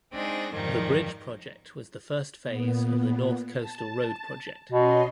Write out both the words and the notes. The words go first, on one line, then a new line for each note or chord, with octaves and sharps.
The bridge project was the first phase of the North Coastal Road Project.
G#3 C4 D4 D#4 G#4 C5
F2 G#2 D#3 F3 G3
A#2 B3
A5
B2 C#4 D#5 C6